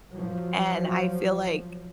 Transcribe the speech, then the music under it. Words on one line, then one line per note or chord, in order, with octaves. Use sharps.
and I feel like
F3 F#3